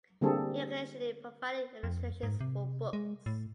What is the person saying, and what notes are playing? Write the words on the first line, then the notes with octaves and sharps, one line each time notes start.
He occasionally provided illustrations for books.
D3 G3 A#3 C4 G#4 A4
F2
G#2
C3
G#3
A2